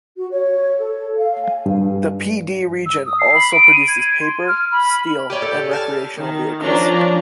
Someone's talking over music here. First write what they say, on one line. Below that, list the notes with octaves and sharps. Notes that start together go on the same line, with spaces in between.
The Pee Dee Region also produces paper, steel, and recreational vehicles.
F#4
C#5
A4
F5
G#5
G2
E6
D#6
C7
B5
D7
D#7
G#6
C6
F6
B5
G4 C#5 D5 G5 G#5
A4
G#5 A5 F6
D#3
F3 C#4 D4 A#5